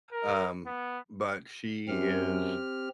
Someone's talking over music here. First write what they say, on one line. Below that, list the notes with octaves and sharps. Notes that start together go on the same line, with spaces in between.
um, but she is
A#4
B3
F#2 C4 G4 F6